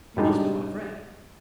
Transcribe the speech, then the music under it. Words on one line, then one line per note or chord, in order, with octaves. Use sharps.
You must know my friends....
F#2 A2 G3 G#3 D4 D#4